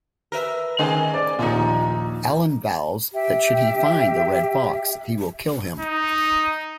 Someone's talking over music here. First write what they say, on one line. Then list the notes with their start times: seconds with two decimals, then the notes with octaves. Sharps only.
Alan vows that should he find the "Red Fox" he will kill him.
0.32 A#4 B4 E5
0.79 D#3 A3 C#4 G#4 D#5
1.14 D5
1.39 A#1 D#2 F3 A#3 D#4
3.13 G4 E5 G5
5.80 D#4